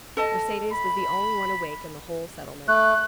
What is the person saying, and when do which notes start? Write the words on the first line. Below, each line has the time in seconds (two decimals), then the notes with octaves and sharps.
Mercedes was the only one awake in the whole settlement.
0.17 A4 D#5 A5
0.71 B5
2.68 A3 F#6